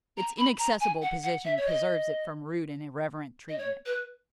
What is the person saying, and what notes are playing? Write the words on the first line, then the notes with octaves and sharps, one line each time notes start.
Its inaccessible position preserves it from rude and irreverent treatment.
A#5
B5
A#5
G#5
F#5
F#5
E5
C#5
D#5
D#5
C#5
B4